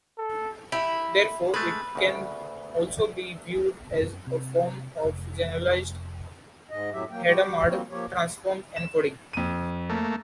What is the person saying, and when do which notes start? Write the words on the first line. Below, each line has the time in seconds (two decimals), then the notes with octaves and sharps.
Therefore, it can also be viewed as a form of generalized Hadamard transform encoding.
0.18 A4
0.72 E4 G4
1.54 G#3 A3 B4
1.95 D2 C#3
3.99 F#2
4.27 C3
5.05 F1
6.70 G#2 D#5
6.93 F#2 A2 F#3 G4 E5
7.11 F#3 A#3 G5
7.27 G3 F#4 G4 G5
7.66 F3 G3 A#3 C4 F#4
7.91 F3 A#3 G4 C#5
8.76 E7
9.33 F2 D#7
9.90 A3 A#3